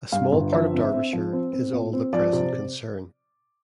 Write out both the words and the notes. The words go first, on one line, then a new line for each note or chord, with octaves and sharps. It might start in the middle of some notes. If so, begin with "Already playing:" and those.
A small part of Derbyshire is all the present concern.
G2 F5
G1
F3 E5
C4
C4
F3
C4
C4
A#2
C4
F3 D5
C3
C3